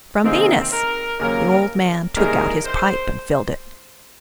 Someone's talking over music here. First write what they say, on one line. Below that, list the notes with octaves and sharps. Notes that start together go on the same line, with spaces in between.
"From Venus." The old man took out his pipe and filled it.
C3 D#3 A#3 C4 D#4 G#4
A#4
D#2 C#3 F#3 A#3 A#4
C2 A#2 G#3 D#4 G#4 A#4
C5